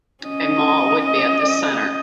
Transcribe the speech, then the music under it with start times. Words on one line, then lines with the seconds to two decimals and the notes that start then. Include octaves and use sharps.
A mall would be at the center.
0.24 C#4 D#5